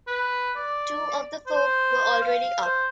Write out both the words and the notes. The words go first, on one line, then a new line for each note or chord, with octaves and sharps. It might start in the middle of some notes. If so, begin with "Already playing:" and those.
Two of the Folk were already up.
B4
D5
C5
F5
C5